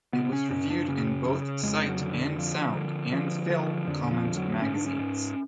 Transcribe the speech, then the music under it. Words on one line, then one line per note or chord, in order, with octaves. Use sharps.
It was reviewed in both Sight and Sound and Film Comment magazines.
C#3 B3
C#4
F#2 C#4
D4
C#3 C#4
C#3
F2 G#3
F#3
D3
D3
D3 F3
D3
D3 F3
D3 F3
F2 D3
F3
D3
F#3
G#2 C#4
D4
C#4
G#2